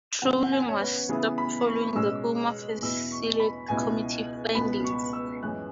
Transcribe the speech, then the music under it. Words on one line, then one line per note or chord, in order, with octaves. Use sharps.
Trawling was stopped following the Home Affairs Select Committee findings.
F#2 C#3 E3 B3 F#5
F#5
G#5
C#5
B4
C#3 E3 B3 E4 G#4
B5
C#6
B2 G#3 C#4 E6
E2 B2 B3 E4 E6
C#6
B5
C#2 B2 B3 E4 G#5
C#2 B2 B3 B5
C#6
E6
F#2 E3 G#3 C#4 F#6